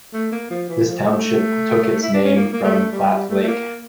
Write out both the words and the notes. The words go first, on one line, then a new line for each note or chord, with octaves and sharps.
This township took its name from Platte Lake.
A3
A#3
F3
E3
F3
A3
E4
D4
C#4
A#3
A#3
A3
G3
G3
A3
A3
A#3